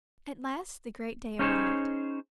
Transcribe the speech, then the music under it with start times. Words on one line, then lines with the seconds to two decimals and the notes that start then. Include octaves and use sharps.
At last the great day arrived.
1.39 C#4 D#4 G#4 C5 C#5